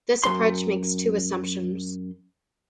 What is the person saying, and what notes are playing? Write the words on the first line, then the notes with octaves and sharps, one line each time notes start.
This approach makes two assumptions.
F#2 C6